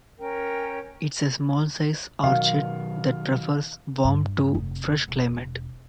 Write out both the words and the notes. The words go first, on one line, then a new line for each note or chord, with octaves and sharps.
It is a small size orchid, that prefers warm to fresh climate.
C#4 A#4 G5
B2 D#3 F#3 F5
G2
F1
E1